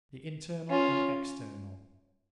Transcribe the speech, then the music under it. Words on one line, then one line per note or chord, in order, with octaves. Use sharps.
The Internal and External.
C#4 F4